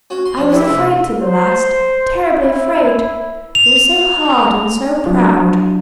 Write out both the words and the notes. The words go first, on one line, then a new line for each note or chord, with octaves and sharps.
I was afraid to the last,--terribly afraid; you are so hard and so proud.
C#4 F#4
C6
F3 C#4
B3 E4 G4
C3 G#3 G#4
C5
E4
F7
F#3 D4 E4 F4